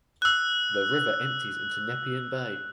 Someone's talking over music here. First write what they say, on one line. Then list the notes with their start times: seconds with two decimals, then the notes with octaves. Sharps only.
The river empties into Nepean Bay.
0.22 E6 F#6